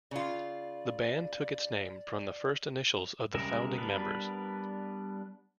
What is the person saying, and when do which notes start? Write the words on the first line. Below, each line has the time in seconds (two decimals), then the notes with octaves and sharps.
The band took its name from the first initials of the founding members.
0.11 C#3 F4 D5
3.34 C#3 G3 G#3 A#4 E5
3.78 G3 B3 D4 A#4 B4